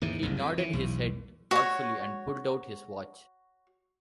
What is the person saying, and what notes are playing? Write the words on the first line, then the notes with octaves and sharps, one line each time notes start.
He nodded his head thoughtfully, and pulled out his watch.
D#2 G#2 E3
F#1 C2 G2
F2
E3
B1 E2
F#4 C#5